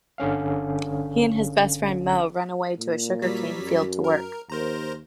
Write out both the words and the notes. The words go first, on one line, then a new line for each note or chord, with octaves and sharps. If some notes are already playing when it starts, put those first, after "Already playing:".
He and his best friend Moe run away to a sugarcane field to work.
G1 D3 C#4 F5
A#2
F#3 G3 B6
F#2
A#4
D#2 A#4 C5 A#5